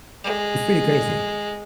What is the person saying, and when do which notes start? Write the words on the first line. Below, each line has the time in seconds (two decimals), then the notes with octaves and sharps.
It's pretty crazy.
0.24 G#3